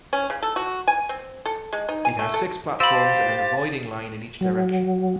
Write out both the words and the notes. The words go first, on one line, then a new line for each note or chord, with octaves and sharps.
It has six platforms and an avoiding line in each direction.
C#4
C#3
A4
F#4
G#5
C4
A4
G#3
D#4
G#5
A3
A4
G4 C5 F5 B5 E6 A6
F#3